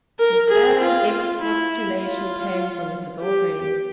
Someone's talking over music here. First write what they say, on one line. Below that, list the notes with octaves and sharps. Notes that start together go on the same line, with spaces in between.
This sad expostulation came from Mrs Orgreave.
A#4
G#4
F4
E4
F4
G4